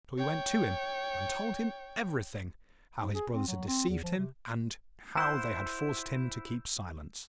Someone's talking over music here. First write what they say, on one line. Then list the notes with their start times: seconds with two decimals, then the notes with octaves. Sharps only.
So he went to him and told him everything; how his brothers had deceived him, and how they had forced him to keep silence.
0.18 C#5 G5
3.01 G#2
3.15 G#4
3.34 C4
3.48 F#3
3.68 C4
3.89 E2
4.03 F3
4.18 C3
5.17 E4 C5 F#5 E6 G6